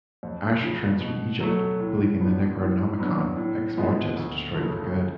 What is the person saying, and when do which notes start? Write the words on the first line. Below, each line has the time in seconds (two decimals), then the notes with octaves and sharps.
Ash returns from Egypt, believing the Necronomicon Ex-Mortis destroyed for good.
0.23 F2
0.62 C#3 F3
1.01 B2
1.40 F#3 A3
1.80 A2
2.19 F3 B3 D4
2.59 A2
2.98 F#3 B3 D4
3.37 A2
3.77 F3 G#3 B3
4.17 D2
4.55 C#3 F3 A3